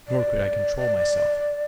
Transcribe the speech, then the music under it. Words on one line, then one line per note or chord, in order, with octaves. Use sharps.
Nor could I control myself.
D5